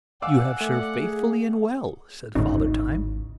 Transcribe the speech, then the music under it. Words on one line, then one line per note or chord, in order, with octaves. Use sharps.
"You have served faithfully and well," said Father Time.
D5 F5 F#5 G#5 D6 E6
A3
G#4
G#1 D2 A2 C#3 D#4